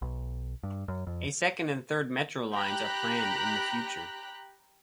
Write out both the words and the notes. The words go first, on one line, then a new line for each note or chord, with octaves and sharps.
A second and third metro lines are planned in the future.
B1
G2
F#2
F2
G4 G5 A#5 B5 F#6